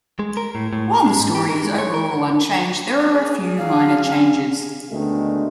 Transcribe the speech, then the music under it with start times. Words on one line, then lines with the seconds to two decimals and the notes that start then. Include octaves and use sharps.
While the story is overall unchanged, there are a few minor changes.
0.19 G#3
0.37 A#4
0.55 A2
0.73 A2
0.93 A#3
1.06 G#3
1.20 G#2
1.35 G4
1.49 A#4
1.64 G#3
1.78 C#5
1.94 A#4
3.10 G#4
3.58 F#3 F5
4.04 C#4
4.91 D2 B2 D3 D#3 G#3 A3